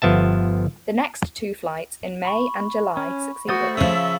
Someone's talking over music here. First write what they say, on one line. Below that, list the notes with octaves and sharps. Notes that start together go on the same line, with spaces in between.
The next two flights in May and July succeeded.
G1 F3 B3 E5 A5
B5 C#6
C#4
A3 F#4 C5 D#6 A6
C#3 F3 E5 E6